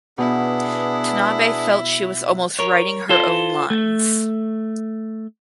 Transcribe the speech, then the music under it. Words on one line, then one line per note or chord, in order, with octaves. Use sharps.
Tanabe felt she was almost "writing her own lines".
B2 B3 D4 E4 G#4
A#4 C#5
F4 A4 C5
A3